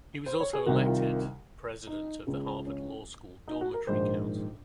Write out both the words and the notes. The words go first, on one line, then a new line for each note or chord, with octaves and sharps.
He was also elected president of the Harvard Law School Dormitory Council.
C5
C#5
G#4
C2 C3 D#3 F#4
F4
D#4
C#2 C#3
C#4
D#4
F#4
A#4
A#1 G#2 D#3 C5